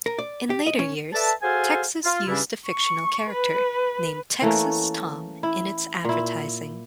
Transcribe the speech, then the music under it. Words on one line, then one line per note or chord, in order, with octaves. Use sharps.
In later years, Texas used a fictional character, named "Texas Tom" in its advertising.
A#4
D5
G4
D#5
C#4
A4 B4 D5 E5 A5
F#4 G#4 A4 C5 F5 G#5
F4
G2 C#3 G3 C#4 D4 E4
C#6
B4
E3 A3 A#3 C#4
E4
A#2 E4